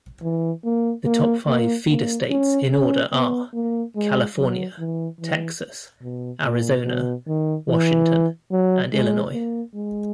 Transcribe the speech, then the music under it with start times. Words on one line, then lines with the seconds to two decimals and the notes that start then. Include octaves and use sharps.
The top five feeder states in order are California, Texas, Arizona, Washington, and Illinois.
0.22 E3
0.64 A#3
1.06 A#3
1.47 A#3
1.89 A#3
2.31 C#4
2.71 C#4
3.12 B3
3.54 A#3
3.96 G#3
4.37 F#3
4.79 E3
5.20 E3
6.02 B2
6.43 A#2
6.85 B2
7.27 D#3
7.69 E3
8.51 F#3
8.93 G#3
9.33 A#3
9.75 G#3